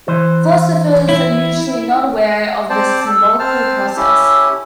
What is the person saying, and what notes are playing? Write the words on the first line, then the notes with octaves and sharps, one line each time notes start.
Philosophers are usually not aware of this symbolical process.
E3 C5
E4
C4 C5 D5 A5
A4
C4 C5 A5 F6
C#4 E4 G4 A4